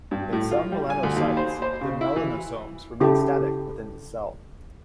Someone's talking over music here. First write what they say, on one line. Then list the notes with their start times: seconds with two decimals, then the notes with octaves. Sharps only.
In some melanocytes, the melanosomes remain static within the cell.
0.11 G2
0.33 A2
0.51 F4
0.72 G3
0.90 G#5
1.03 D2
1.17 D#2
1.37 C5
1.62 C5
1.81 C#3
2.01 E4
2.16 E3
3.00 C#3 E4 G4 A4